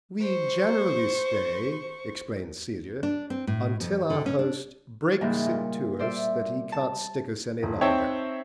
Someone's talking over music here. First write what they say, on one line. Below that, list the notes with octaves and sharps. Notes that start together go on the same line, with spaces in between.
"We generally stay," explained Celia, "until our host breaks it to us that he can't stick us any longer."
C5 C#6
D4
C4
A2
F2
D3
C#4
D4
G#2 C#3 E3 G3 G#3 A#3
A#2
C5 D5 E5
A5
D#1
C4 D#4 C#5 E5 G5 A5